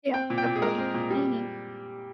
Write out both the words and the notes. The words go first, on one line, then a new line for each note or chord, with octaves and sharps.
Yeah. Definitely. Mhm.
C4 G5
A#2
G5
A#2
G#4
G#3 A#4
C4
A#2
G3